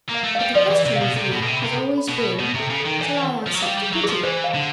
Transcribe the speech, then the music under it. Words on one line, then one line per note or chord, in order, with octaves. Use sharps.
But the question with me has always been, Shall I accept pity?
A#3
F5
A3
G3 F5
F3 D5
E3 D5
C3
F5
B2
C3 A4
B2
B5
B2
C3
B5
C3
A4
B5
B2
B5
B2 C#5
C3 A4
C#3
A4
D#3
E3 C#5
F#5
F3 C#5
F#3
G3 F5
G3 G#4
F#3
F3 G#4
E3 C5
F5
D3